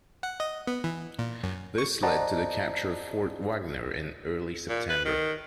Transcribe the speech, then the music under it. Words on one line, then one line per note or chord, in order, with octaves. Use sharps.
This led to the capture of Fort Wagner in early September.
F#5
D#5
B3
E3
A#2
F#2
C#6
C5 D5 D#5 F#5 A5 A#5
A#2
B4
D#3